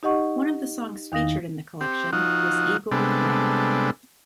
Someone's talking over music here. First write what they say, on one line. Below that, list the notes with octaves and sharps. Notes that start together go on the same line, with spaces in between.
One of the songs featured in the collection was 'Eagle Rock'.
D#4 G4 D#5 F#5 C#6
E2 D#3 D#4 F5 D#6 A#6
C4 G4
F3 D#4 F#4
C3 G3 G#3 B3 D4 A4